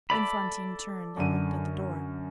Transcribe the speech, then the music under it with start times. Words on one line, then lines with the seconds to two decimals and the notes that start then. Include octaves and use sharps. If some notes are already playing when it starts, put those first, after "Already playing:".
Then Fantine turned and looked at the door.
0.10 A4 D5 E5 B5
1.17 F#2 D3 D#7